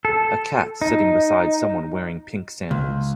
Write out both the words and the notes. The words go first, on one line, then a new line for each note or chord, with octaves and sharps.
A cat sitting beside someone wearing pink sandals.
A4
D#4
C#2